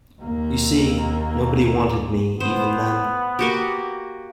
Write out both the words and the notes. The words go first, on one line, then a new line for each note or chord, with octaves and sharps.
You see, nobody wanted me even then.
D#2 A#3
B3 C5
A#3 F#4 G4